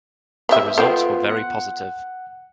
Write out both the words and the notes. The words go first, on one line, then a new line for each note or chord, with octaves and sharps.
The results were very positive.
B3 G4 E5
B3 F4 A4 C5 G5
F#5